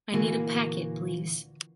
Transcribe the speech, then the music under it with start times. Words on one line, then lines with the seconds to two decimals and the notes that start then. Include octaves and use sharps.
I need a packet, please.
0.13 D2 A#2 E3 A#3 F#4 G#5